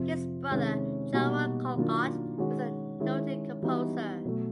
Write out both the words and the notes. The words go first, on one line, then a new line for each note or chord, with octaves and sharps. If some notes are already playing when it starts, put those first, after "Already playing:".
His brother, John Wall Callcott, was a noted composer.
Already playing: F2 C3 F3
C3 D#3 G#3 C#4
B2 G3 A#3 D#4 F#4
D#3 F#3 A#3 D4 F4
D#3 G#3 C#4 F#4
D#3 G#3 C#4 E4
E3 G3 B3 D#4 F#4
B2 F#3 A3